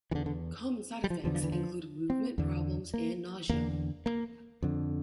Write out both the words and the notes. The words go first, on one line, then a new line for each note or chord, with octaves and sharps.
Common side effects include movement problems and nausea.
E2 D3 E3
D3
G3
F3
E2 D3 F3
F3
E3
F3
C4
E2 D3
A#3
E2 D3 A#3
A#3
F2 D3